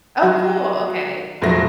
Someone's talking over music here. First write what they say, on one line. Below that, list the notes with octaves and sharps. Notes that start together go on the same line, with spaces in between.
Oh, cool, okay.
F#3 F#4
F1 A#1 F3 F#3 A3 A#6